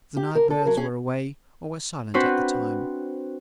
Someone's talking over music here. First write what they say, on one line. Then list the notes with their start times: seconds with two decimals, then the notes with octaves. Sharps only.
The night-birds were away, or were silent at the time.
0.17 G4
0.35 A#4
0.50 A4
0.65 F#3 A#4
0.77 C#4 G#4
2.14 C4 D4 F#4 B4 C5